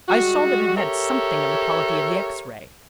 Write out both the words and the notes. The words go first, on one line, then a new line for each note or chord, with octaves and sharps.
I saw that it had something of the quality of the X-ray.
G3 G#3 F#4
G4 A4 A#4 C#5 E5